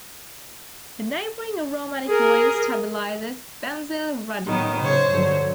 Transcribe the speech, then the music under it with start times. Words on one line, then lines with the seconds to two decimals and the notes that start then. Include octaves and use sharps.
The neighboring aromatic ring stabilizes benzyl radicals.
2.07 G#4 A#4
4.47 A2 D#3 F#3 B3
4.80 C#3 C5 C#5
5.10 G2 D3 F#3